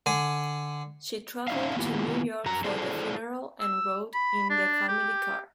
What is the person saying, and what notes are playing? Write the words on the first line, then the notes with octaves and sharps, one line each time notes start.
She traveled to New York for the funeral and rode in the family car.
D3 G#5
C#4 D#4 G4 D5 E5 F5
D#3 A#3 B3 E4 F4 G4
F#2 F#3 A#5
E4 G#4 A4 C5 D5
E6
B5
D4
G4